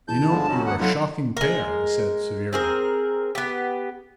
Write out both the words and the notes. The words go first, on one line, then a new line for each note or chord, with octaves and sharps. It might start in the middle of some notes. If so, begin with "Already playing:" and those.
"You know, you're a shocking pair!" I said severely.
E2 A5 G6
G1 D3 F3 G#3
F#3 C#4 D#4 F#4 B5
D#2 F#5
F1 F#3 F4 A4 F#5 B6
G#3 A#4
C4 G#4 A#4
B3 G4